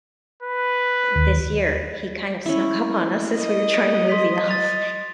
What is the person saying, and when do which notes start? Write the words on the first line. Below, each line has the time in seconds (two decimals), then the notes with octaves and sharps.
eh, this year, he kind of snuck up on us as we were trying to move the elf,
0.43 B4
1.15 D#2
2.46 C#4 E4
3.37 D#5
4.09 C6 B6
4.48 A6 F7